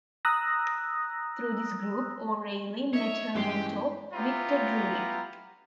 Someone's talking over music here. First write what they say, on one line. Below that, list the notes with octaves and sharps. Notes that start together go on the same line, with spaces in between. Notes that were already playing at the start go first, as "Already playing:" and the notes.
Through this group, O'Reilly met her mentor, Victor Drury.
A#5 D#6 E6 F#6 A#6
D#4 C#5 E5
G2 E3 G#3 C#4 G4 G5 C6
B3 E4 F4 G4 A#5